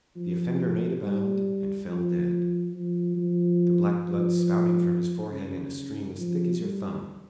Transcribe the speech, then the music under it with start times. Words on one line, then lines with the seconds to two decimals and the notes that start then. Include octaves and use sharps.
The offender made a bound and fell dead, the black blood spouting from his forehead in a stream as thick as your thumb.
0.16 F3
1.01 G3
1.87 F3
2.74 F3
3.16 F3
4.02 F3
5.31 C#3
6.17 F3
6.59 G3